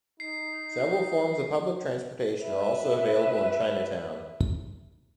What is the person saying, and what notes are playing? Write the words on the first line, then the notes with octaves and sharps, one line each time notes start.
Several forms of public transportation are also available in Chinatown.
D#4 C7
B4 E5